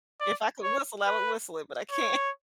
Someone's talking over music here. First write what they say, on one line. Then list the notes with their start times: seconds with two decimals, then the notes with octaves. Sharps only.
If I could whistle, I would whistle it, but I can't.
0.21 D5
0.63 C#5
1.06 B4
1.91 C#5